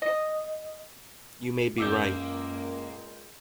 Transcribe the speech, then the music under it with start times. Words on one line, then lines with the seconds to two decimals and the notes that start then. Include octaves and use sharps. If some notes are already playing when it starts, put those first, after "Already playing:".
You may be right.
0.02 D#5
1.78 C#2 F#2 A#2 G#3 A#3 D6 E6 G6